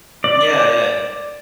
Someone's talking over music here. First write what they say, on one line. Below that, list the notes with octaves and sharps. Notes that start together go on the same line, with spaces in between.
Yeah, yeah.
D5